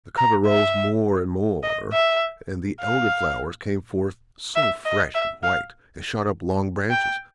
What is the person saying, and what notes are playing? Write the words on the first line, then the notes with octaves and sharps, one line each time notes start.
The cover rose more and more; and the Elder-flowers came forth so fresh and white, and shot up long branches.
A#5
E5
D#5
E5
F5
E5
D#5
E5
F5
G5